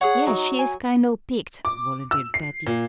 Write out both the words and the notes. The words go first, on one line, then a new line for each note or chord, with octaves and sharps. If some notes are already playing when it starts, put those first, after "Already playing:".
"Yes, she is kind o' peaked," volunteered Patty.
G#4 C#5 F#5
F#3 D#4
G#5
D6
E6
C7
A#2